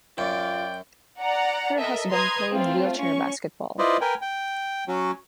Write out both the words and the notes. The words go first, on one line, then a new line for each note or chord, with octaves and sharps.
Her husband played wheelchair basketball.
F#2 F4 D5 G5
D5 F#5 A#5
A4 A#4 D#5 E5
B4 A#5 C6 D#6 G#6
A3 C4 F4
C#4 C#6
E4 F4 B4 C5 D5 D#5
A#4 B4 G5 G#5
G5
F#3 C#4 F#4